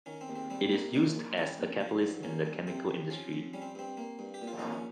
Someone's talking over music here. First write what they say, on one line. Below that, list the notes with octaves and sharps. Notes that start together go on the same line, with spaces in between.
It is used as a catalyst in the chemical industry.
D#3 C#4
C4
D#2
C4
G3 C4
A#3
A#2 D#4
A#1
G3 C#4
A#1
F3
G2
A#3 C#4
G2
C3 C4
F2
F3 C#4
F2
G3 C#4
C4
G2 C4
A#3
G2
G4
A#2
F4
A#1 D#4
C#4